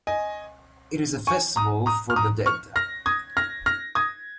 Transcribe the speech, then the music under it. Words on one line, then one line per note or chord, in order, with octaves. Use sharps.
It is a festival for the dead.
D#5 G#5
G#5 C#6
A#5 D#6
A#5 D#6
F6
A#5 D#6
C#6 F6
F6 A#6
D#6 G#6
F6 A#6
F6 A#6
D#6 G#6